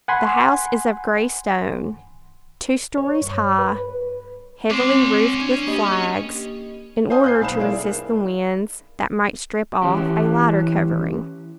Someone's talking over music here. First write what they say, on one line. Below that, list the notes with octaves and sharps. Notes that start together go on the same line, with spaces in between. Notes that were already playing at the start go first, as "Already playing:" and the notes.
The house is of grey stone, two stories high, heavily roofed with flags, in order to resist the winds that might strip off a lighter covering.
F#5 G#5 B5 C6
C#5
G2
B4
C4 C#4 C6 D6 C7
D4
A#3 G4 D#5
C5 D5 F5 G5 G#5 D#6
F#6 G6 C7
B1 F5 B5 E7
A#3 E4 G#4 D5
E3 C#4 E4 G4